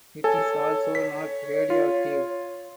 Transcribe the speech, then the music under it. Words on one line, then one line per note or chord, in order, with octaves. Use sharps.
It is also not radioactive.
A4 C#5 G#5
B6
F4